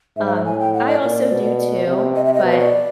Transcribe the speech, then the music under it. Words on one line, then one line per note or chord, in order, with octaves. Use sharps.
um, I also do too, but
G#2 E5
F5
E5
A2 G#5
G5
F#5
D#5
A#2 D5
B2
C3
D#5
E5
D#5
B2
C#5
D5